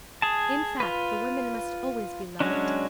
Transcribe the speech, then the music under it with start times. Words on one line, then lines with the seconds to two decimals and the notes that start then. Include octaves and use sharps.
In fact, the women must always be loved.
0.22 G#4 A5
0.80 F4 B4
2.40 F#3 G#3 C#4 D4